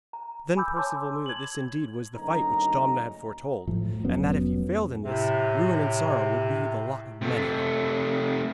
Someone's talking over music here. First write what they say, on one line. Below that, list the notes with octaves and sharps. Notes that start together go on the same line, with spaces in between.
Then Perceval knew that this indeed was the fight which Domna had foretold, and that if he failed in this, ruin and sorrow would be the lot of many.
A#5
G#5 B5 D6 E6 G6
C#5 A5 C6 D6 E6
G#6 F#7
F#1 D2 C#4 D#4 A#5
A2 F3
F1 F#3 B3 C#4
A2 C3
C3 A3